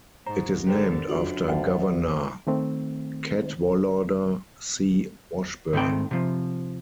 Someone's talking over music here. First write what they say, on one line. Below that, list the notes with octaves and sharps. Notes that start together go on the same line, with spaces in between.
It is named after Governor Cadwallader C. Washburn.
G#2 C5 A#5
D3 G4 A4 A#4 C5
F#2 D4 F4 F#4
D2 G2
D#3 A3 C4
G#2 D#3 A3 C4 G5
C3 F3